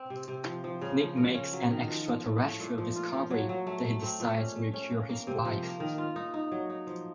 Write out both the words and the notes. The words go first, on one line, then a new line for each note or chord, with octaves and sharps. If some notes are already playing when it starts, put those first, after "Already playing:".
Nick makes an extraterrestrial discovery that he decides will cure his wife.
Already playing: C4
C3
C3
F3
F3
C#3
F3
A#4
C#4
F#3
D#3
F3
F3
A2
A3
A#2
F3
F4
F3
F#3
F#3
A3
A3
C4
A#2
C#4
A3
C#4
A#3
A#3
C3
F3
A#3
D#3
F4
D#4
D#4
F#3
D#4
F3